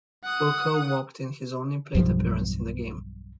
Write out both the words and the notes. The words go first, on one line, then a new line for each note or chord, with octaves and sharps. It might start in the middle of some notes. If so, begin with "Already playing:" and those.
Furcal walked in his only plate appearance in the game.
F#5 D#6
B1 E2 G2 F3